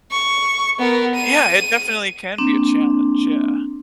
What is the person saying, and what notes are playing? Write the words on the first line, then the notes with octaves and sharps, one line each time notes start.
Yeah, it definitely can be a challenge, yeah.
C#6
B3 A#4
D#7
A#3 C4 D4